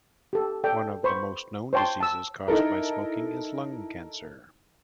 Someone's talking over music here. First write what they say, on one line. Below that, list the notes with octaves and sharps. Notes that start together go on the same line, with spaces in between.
One of the most known diseases caused by smoking is lung cancer.
G4 A4
A4 D5 G5
B4 C5 B5 C#6
C5 C#5 G5 A5 C6
A5 E6
D#4 E4 A4 A#4